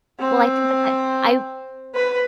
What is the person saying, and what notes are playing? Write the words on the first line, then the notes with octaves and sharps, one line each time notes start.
Well, I think that that I
C4
B4